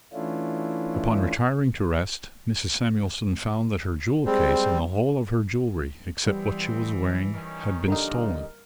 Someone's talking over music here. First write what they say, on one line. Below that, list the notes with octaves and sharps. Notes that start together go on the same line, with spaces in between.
Upon retiring to rest Mrs. Samuelson found that her jewel case and the whole of her jewelry, except what she was wearing, had been stolen.
E3 A3 C#4 D4 E4 F4
G3 G#3 C4 C5
E3 G3 B3 C4
D#3 C#4
A#2 D3 G3 D#4 A#4